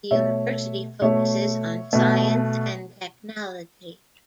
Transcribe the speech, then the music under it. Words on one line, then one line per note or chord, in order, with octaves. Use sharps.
The University focuses on science and technology.
B2 A3 C#5 E5
B2 A3 C#5 E5
B2 A3